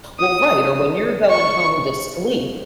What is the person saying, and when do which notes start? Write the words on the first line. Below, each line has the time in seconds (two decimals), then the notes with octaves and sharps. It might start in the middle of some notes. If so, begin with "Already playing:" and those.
Well, right, or when you're going home to sleep,
0.19 D#6
1.29 C#6